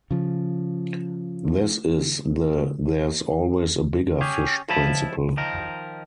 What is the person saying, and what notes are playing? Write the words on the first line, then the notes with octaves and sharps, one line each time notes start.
This is the There’s-always-a-bigger-fish principle.
C#3 F3
C#4 G4 G#4
C#2 F3 E4 A5 B5
D#3 F3 A#4